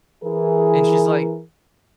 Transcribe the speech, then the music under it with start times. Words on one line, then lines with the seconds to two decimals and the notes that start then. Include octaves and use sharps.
And she's, like,
0.23 E3 G#4 A#4